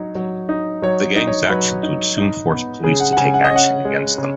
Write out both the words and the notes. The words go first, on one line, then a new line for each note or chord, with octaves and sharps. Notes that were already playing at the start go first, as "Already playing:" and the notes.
The gang's actions would soon force police to take action against them.
Already playing: F#3 D#4 C#5
F#3
D#4
F#3 C#5
D#4
C#5
F#3 B4
D#4
D#4
B3
C#3 G#4
F#5
F#5
C#3 G#5
F#5
D#5
C#4
F#5
G#3
C#3